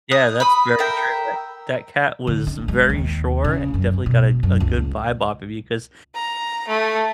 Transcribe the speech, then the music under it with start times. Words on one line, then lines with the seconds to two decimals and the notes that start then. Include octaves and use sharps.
Yeah, that's very true. That that cat was very sure, and definitely got a a good vibe off of you 'cause
0.11 D#6 F#6
0.40 B5 D#6
0.79 A#4 E5 G5
2.27 D3
2.47 D4
2.68 G#3
2.89 D#2
3.44 C#3
3.74 F#2
4.06 B2
4.43 F#2
4.60 C#2
6.14 A#5
6.68 A3